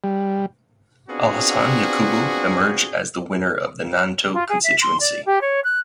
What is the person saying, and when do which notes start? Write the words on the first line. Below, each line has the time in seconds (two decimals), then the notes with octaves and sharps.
Alhassan Yakubu emerge as the winner of the Nanto Constituency.
0.04 G3
1.09 B3 C4 D4 F4 F#4 G#4
4.33 F4
4.49 G#4
4.64 E5
4.82 C6
5.00 D5
5.26 G4
5.41 C#5
5.64 F#6